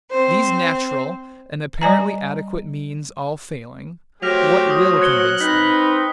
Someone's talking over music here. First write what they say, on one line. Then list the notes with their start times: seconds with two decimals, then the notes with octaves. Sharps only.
These natural and apparently adequate means all failing, what will convince them?
0.10 C4 C5
1.81 G3 D5 G#5 A#5
4.23 F#3 A3 G4 C5 F6 A#6 F7
4.70 D#6
5.02 F#6 G#6 C#7 G7
5.41 C4 D#4 B4 B6